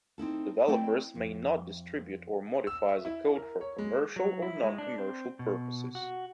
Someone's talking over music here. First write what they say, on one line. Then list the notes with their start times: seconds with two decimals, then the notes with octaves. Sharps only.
Developers may not distribute or modify the code for commercial or non-commercial purposes.
0.18 C4 D#4 E4 A4
0.68 A3 C4 E4 D5 G5
1.15 F2
2.67 E6
2.89 E5
3.05 E4
3.35 A#4
3.61 C#5
3.78 G#3
4.16 F#3
4.42 E4
4.63 G#3
4.78 D4
4.98 C4
5.39 B2
5.95 F#4